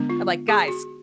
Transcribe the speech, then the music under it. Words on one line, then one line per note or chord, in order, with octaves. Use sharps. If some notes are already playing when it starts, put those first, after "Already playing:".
I'm like, "Guys,
Already playing: D3 G#3 B3 D4
F4
G#4
F#4